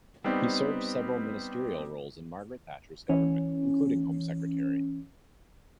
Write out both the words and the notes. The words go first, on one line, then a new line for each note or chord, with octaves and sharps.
He served several ministerial roles in Margaret Thatcher's government, including Home Secretary.
G3 B3 C4 D#4
E3 C#4